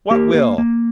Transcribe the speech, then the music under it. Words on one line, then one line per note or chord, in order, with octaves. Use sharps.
"What will?"
A#3 G4 A#4
A#3
A#3